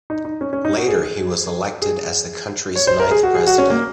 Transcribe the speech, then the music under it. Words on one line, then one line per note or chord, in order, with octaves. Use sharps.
Later he was elected as the country's ninth president.
D#4
D#4
C#4
C#4
D#4
F#4
G#4
G#4
C#5
C5
A#4
G#4
F#4
G#4
F#4
C#4
A#3